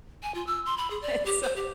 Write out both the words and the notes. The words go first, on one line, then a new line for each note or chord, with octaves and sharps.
And so,
G#5
F4
E6
C6
B5
G#4
D5
G4
C5
G4